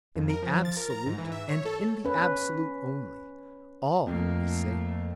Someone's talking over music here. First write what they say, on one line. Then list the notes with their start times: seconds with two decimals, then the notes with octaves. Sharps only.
In the Absolute, and in the Absolute only, ALL is saved.
0.16 F2
0.30 A#4
0.42 F3
0.65 A6
0.77 A#4
0.90 A#5
1.06 G#2
1.18 E3
1.32 E5
1.49 C#5
1.65 A4
2.05 C#4 B4
4.07 F2 A3 A#3